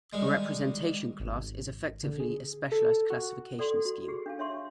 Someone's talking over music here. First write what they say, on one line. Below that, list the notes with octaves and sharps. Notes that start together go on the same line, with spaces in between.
A "representation class" is effectively a specialized classification scheme.
D#3 G3 G#3
G#1
D3
G#4
A4
F#4
A4 D5 F#5 C6
F#4
G4 G#4
D4 F5 G#5
D4 C#5 E5 C6 C#6